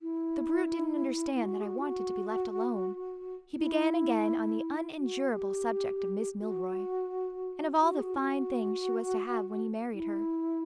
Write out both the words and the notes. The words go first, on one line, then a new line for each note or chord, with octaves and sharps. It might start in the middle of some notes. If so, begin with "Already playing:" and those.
The brute didn't understand that I wanted to be left alone; he began again on the unendurable subject of Miss Milroy, and of all the fine things she was to have when he married her.
E4
E4
F#4
G#4
F#4
E4
F#4
E4
F#4
G4
F#4
F#4
G#4
F#4
E4
F#4
E4